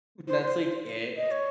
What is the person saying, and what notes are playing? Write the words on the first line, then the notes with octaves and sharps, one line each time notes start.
that's, like, it.
C5
C5
D#5
C#5